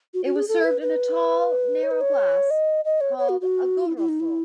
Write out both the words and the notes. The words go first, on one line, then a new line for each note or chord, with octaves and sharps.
It was served in a tall, narrow glass called a "Goderulffe".
F#4
F#4
G#4
A4
B4
B4
C#5
B4
C#5
D#5
D#5
C#5
C#5
F#4
F#4
E4
E4
D#4
E4